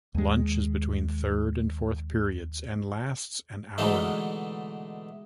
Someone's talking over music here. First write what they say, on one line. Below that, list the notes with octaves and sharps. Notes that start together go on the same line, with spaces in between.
Lunch is between third and fourth periods, and lasts an hour.
D#2 G#3
B2 D3 E3 G#3 A3 D#4